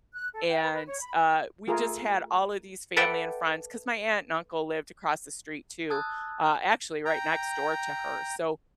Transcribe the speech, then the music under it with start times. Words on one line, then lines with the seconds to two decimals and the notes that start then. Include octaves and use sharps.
and, uh, we just had all of these family and friends, 'cause my aunt and uncle lived across the street too, uh, actually right next door to her, so
0.14 F#6
0.34 A4
0.48 G5
0.63 B4
0.74 B4
0.87 C#5
1.01 B5
1.67 A3 F4 G#4 A#4
2.96 A4 B4 D5 E5 F#5 G5
5.90 A5 D#6 E6 F#6 G#6 A6
7.05 G5 A#5